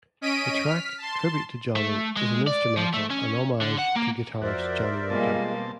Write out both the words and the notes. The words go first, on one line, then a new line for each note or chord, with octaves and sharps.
The track "Tribute to Johnny" is an instrumental, a homage to guitarist Johnny Winter.
C#4 D#5 B6 D7 D#7
F6 B6
A5 C6
A3
G#3
D5
F3
A3
C#4
D3
F#5
A#3
F2 F#4 A#4 C5 D5 E5
B2 G3 G#3 A#3 C4 F4 A5